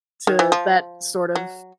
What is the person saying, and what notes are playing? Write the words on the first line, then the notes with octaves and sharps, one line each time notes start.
to that sort of
D#3
E3
F3
F#3